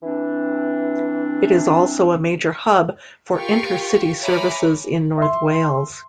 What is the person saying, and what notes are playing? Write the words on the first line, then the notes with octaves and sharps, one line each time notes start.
It is also a major hub for inter-city services in North Wales.
E3 C4 D4
F4 G4 A#4 F5 G5 C#6
C#5 E5 G#5 A#5 B5 D6
E5 C6